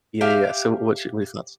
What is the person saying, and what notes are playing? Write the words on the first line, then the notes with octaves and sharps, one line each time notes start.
Yeah, yeah, yeah, so, what's your what are your thoughts?
G4 E5 F5